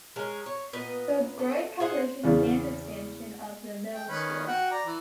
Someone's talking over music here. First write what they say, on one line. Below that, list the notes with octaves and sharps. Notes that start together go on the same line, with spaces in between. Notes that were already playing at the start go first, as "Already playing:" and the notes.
The growing population began the expansion of the middle school.
G#3 C#4 A#4
C#5
A#2 B3 B4 D#5
A4
G#4 C5 F#5
E2 C#3
G5
D#3 C#4 B4
F#4 F#5 G5
D5 A#5
E3